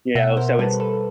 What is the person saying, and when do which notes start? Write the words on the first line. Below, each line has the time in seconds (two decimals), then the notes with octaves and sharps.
you know, so it's
0.15 B2 E5 F#5
0.37 A#4 C5
0.59 G3 A4 B4
0.80 A4 B4